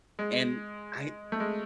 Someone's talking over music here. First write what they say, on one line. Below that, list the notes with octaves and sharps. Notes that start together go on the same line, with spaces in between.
And I
G#3
A3
G#3